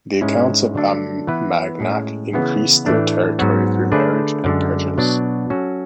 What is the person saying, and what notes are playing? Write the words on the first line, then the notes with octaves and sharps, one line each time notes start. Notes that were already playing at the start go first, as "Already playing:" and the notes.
The counts of Armagnac increased their territory through marriage and purchase.
G#2 G#3 C#4 E4
D3 F#3 A3 D4 A4
E3 B3 E4 B4
A2 G#3 C#4
C#3 E3 B3 E4 G#4
A2 E3 A3 D4
G#2 F#3 B3 F#4
D3 A3 D4 G#4 B4
F#2 D3 G#3 D4
B2 F#3 B3 D4 F#4
F#3 C#4 F#4 A4